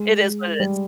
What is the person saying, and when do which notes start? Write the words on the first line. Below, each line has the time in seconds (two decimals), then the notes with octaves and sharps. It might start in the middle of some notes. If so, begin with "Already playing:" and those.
It is what it is.
Already playing: G#3
0.60 G3